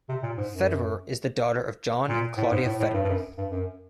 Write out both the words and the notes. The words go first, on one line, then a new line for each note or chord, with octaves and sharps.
Federer is the daughter of John and Claudia Federer.
C3
A#2
G#2
F#2
A#2
A2
G#2
A2
A2
G2
G2
F#2
G2
F#2